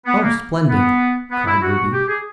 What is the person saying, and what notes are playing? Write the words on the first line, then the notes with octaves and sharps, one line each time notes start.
"Oh, splendid," cried Ruby.
B3
A#3
B3
B3
E4
F#4
G4
G#4